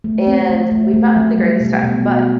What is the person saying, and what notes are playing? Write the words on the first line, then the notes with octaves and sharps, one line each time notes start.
and we've not had the greatest time, but
A3
C4
A3
A3
A3
F#3
G3
B2
B2
F#4